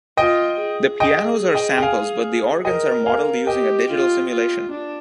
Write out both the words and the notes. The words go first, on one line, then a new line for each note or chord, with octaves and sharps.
The pianos are samples but the organs are modeled using a "digital simulation".
F4 D#5 G5
G#4
D#5 G5
D#5 G5
G5
F5 G#5
A#4 D#5 G5
F5 G#5
G4 D#5 G5
F4
F4
D4